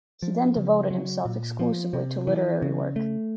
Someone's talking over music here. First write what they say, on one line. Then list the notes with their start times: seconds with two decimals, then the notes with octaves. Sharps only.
He then devoted himself exclusively to literary work.
0.22 F3
0.56 C#3
0.90 F#3
1.25 A#2
1.59 F3
1.93 C3
2.27 E3
2.62 C#3
2.96 A3